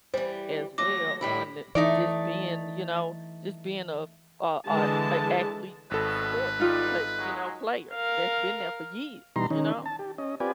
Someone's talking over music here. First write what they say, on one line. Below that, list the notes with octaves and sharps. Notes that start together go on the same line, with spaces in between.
as well on the just being, you know, just being a a a a athlete sports, but, you know, player that's been there for years, you know?
E3 G3 C5
D#2 F#3 A3 D6 A#6
A2 G3 E4 B5
E3 A3 D#4 D5
D3 E3 G#3 A5
G#1 B2 A4 B4
E2 G2 G3 D#4 F4
F#3 G#3
A#4 F5
B2 E3 G3 D#4 A#5 C6
D#3 C#4 D#4
A5
G4
C#4 D#5
C4 F4 G4 B4 D5 G#5